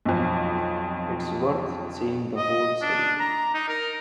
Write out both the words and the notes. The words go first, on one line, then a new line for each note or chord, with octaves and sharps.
It's worth seeing the whole ceremony.
B1 F2
D#5
D4
A#5
D#4
A#4